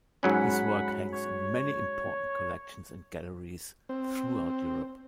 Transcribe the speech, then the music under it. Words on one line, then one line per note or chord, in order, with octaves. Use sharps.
His work hangs in many important collections and galleries throughout Europe.
G#2 F#3 C#4 F#5 B5
C#5
C4